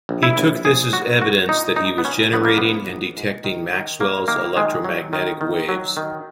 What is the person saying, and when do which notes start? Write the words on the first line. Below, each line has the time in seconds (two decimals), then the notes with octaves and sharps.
He took this as evidence that he was generating and detecting Maxwell's electromagnetic waves.
0.09 A#1
0.23 E4
0.38 A#1
0.65 A#1 G#4
0.93 F#3 F#4
1.21 A#1 F#4
1.49 A#2 D#4
1.76 A#1 D#4
1.98 B3
2.04 A#2 C#4
2.33 A#1 B3
2.45 A#3
2.58 A#1 B3
2.88 A#1
3.17 G#2
3.44 D#3
3.73 D#3
4.00 F#3 A#3
4.28 D#3 A#3
4.56 D#3 G#3
4.84 F#3
5.13 D#3
5.41 D#3
5.69 F#3
5.97 D#3